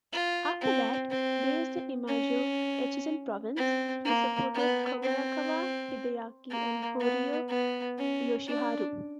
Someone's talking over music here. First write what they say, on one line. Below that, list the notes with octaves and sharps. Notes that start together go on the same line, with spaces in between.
After that, based in Imajo, Echizen Province, he supported Kobayakawa Hideaki and Horio Yoshiharu.
F4
C4
C4
C#4
C4
A#3
B3
C4
A#3
B3
B3
C#4
D4